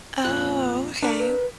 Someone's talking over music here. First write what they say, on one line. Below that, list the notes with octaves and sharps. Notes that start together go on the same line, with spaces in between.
Oh, okay.
F2 A#2 F#6
D4 A#4 B6
B4